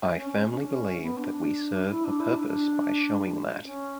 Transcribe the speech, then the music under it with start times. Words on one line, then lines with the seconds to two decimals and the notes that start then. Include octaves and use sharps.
I firmly believe that we serve a purpose by showing that.
0.16 C#4
0.30 C#4
0.45 C#4
0.54 D4
0.63 C#4
1.03 B3
1.17 D4
1.32 D4
1.90 E4
2.04 D4
2.20 E4
2.34 D4
2.47 D4
3.65 C#4